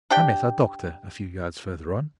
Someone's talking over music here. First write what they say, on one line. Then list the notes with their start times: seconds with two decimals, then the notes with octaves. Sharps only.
I met our doctor a few yards further on.
0.10 D4 G4 G5